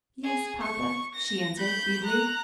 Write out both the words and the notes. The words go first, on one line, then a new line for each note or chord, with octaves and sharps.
"Yes, papa," she answered feebly.
G#4
C#6
A#6
B5 G6
A#5 F#6